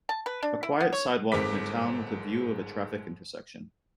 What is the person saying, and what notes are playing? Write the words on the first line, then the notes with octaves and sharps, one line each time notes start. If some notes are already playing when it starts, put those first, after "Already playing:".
A quiet sidewalk in a town with a view of a traffic intersection.
A5
B4
D4
E4
B3
C#5
G1 G#2 C4 A#4 D6 B6